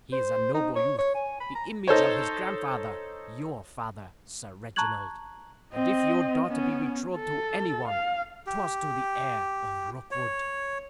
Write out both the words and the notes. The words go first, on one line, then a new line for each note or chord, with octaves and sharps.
He is a noble youth--the image of his grandfather, your father, Sir Reginald; and if your daughter be betrothed to any one, 'twas to the heir of Rookwood.
C5
D#4
C#5
C#5
G#5
B5
A#5
D#4 A4 C5 C#5
A5 A#5 C#6 F#6 G#6 F#7
C4 D#5
B3 C#4
A4
F5
G4
C#5